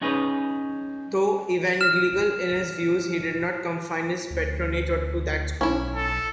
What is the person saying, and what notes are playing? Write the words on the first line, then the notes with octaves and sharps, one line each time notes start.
Though Evangelical in his views he did not confine his patronage to that school.
C#4 D#4 G#4 B4 C#5
F6 E7
D2
B1 C#4 E4
A4